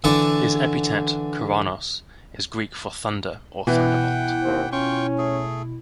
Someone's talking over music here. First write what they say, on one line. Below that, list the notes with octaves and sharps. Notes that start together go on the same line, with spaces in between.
His epithet "Keraunos" is Greek for "Thunder" or "Thunderbolt".
D3 E3 D5 C#6 D6
B2 E3 E4 F#5 G5
D#2 C4
C#4 F4 G5 C#6
A3 G#4